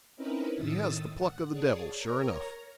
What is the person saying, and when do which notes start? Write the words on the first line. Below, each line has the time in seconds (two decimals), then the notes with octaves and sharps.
But he has the pluck of the devil, sure enough.'
0.16 C4 C#4 D#4 E4 A#4 B4
0.57 A2 D#3 D#6 E6 A6
1.16 F#5
1.50 G#4 C#5 D5 A5 D#6
1.98 A#4 C#5 A#5